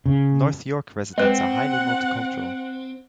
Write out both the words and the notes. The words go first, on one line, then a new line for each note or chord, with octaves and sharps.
North York residents are highly multicultural.
C#3
G#3 C4 B4 F#5